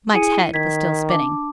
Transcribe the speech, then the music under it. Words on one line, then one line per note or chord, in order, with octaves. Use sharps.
Mike's head was still spinning.
E4 G#4 C#7 D#7
D#3 G#6 B6
D4 A5 D6